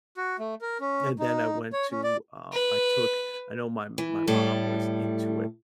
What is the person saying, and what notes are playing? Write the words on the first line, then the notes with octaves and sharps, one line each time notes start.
and then I went to uh, I took I know my my mom was into it,
F#4
A3
A#4
C#4
D#4
C#5
C#4
D5
B4
E3
A2 G3 A4